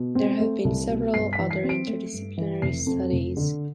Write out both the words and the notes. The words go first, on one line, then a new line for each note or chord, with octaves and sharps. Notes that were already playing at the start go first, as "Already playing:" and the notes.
There have been several other interdisciplinary studies.
Already playing: B2
C4
A3
C2
B2
G2 C7
B6
E3
C7
C4
D7
A3
G2
E3
F1 C7
F2
F1
D3